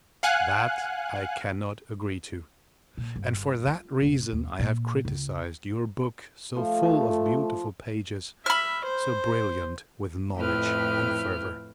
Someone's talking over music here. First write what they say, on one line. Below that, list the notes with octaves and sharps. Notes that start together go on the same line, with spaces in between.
That I cannot agree to; and for that reason I have criticised your book, so full of beautiful pages, so brilliant with knowledge and fervor!
F5 F#5 G#5 F#6
A#2
G1
F4
F1
D#2
A#2
C#2
F3 A3
E5 B5 F6
C5
F2 A2 E4 B4 G5 F6